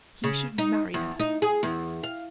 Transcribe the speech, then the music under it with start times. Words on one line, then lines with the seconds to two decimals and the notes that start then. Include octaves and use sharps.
He should marry her.
0.24 C#3
0.58 D#4
0.94 E2
1.20 D#4
1.42 G#4
1.63 E2
2.03 F5